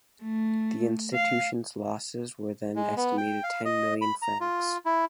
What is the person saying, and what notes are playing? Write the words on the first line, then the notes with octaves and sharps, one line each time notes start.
The institution’s losses where then estimated ten million Francs.
A3
F5
G#3
B3
G5
F5
D#5
B5
A#5
F4
E4